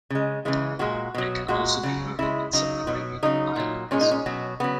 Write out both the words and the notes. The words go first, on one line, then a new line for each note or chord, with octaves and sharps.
It can also be heard in some Caribbean islands.
C#3 G#3
C#3 E3 G#3
A#2 G#3 F#4
B2 F#3
A#2 G#3 F#4
C#3 F#3
C#3 G#3 E4
C#3 F#3 D#4
B2 F#3
C#3 F#3 D#4
A#2 F#3
A#2 G#3 C#4
D#4
C#4
B2 F#3
C#3 F#3 B3